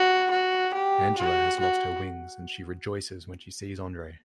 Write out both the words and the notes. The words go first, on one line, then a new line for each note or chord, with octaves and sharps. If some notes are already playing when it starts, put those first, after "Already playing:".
Angela has lost her wings, and she rejoices when she sees Andre.
Already playing: F#4
F#4
G4
F#4
F#4